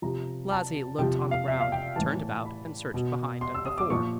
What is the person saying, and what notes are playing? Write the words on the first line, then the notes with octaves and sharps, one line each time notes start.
Blasi looked on the ground, turned about, and searched behind and before.
C3 F3 A#5
A5
C3 F3 G5
F5
E5
F5
G5
A2 E3 A5
B5
B2
C6
E6
D#6
D6
A#2 F3 C#6